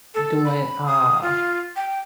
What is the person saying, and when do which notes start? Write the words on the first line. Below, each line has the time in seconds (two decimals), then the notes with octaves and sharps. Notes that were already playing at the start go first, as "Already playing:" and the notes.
doing, uh
0.15 A4
0.45 B5
0.86 D#6
1.22 F4
1.76 G5